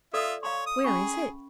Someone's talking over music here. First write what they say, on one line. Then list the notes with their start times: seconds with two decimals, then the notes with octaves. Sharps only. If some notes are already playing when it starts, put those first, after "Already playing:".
'Where is it?
0.14 F4 A4 D5 E5 D#6
0.43 C#5 F5 A#5 C6
0.66 D#6
0.84 C#4 G#4 B5 C#6